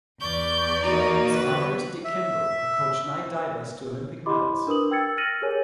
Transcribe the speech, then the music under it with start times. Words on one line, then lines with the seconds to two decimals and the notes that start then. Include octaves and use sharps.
His father is Dick Kimball, who coached nine divers to Olympic medals.
0.21 E2 D5 C#6 G6
0.83 A#3 D#4 F#4
1.32 D3 B3 B4
2.04 E5
4.26 E4 G4 D#5 B5 C6 D6
4.67 D4 A#4 B4 D#6 F#7
4.91 G5 E6 G#6 A6 C#7
5.17 F6 A6 A#6 D#7 F#7
5.42 G4 G#4 A#4 C#5 G#5